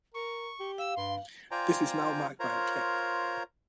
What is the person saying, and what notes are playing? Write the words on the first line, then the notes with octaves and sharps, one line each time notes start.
This is now marked by a plaque.
A#4 C#6
G4
F5 E6
G2 C6
F4 C5 D5 G5 G#5 A#5
F4 A#4 C5 C#5 A#5